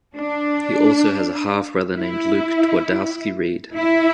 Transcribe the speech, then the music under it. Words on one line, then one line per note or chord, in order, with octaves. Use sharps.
He also has a half brother named Luke Twardowski-reid.
D4
E4
E4